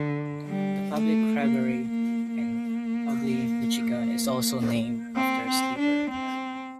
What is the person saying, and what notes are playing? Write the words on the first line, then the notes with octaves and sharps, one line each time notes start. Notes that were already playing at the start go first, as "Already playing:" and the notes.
The public library in Ubly, Michigan is also named after Sleeper.
Already playing: D3
G3
A3
A#3
A#3
A#3
C4
C4
D4
C4